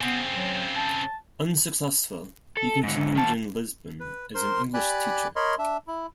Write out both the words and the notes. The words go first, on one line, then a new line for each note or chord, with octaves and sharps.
Unsuccessful, he continued in Lisbon as an English teacher.
C#3 B3 C4
F#3
A5
A4
G#2 D3
D#3 A5
B4
A#4 C5 C6
G4 D5 G#5 B5 F#6
A#4 C#5 D#5 B5 C6
D4 E5
E4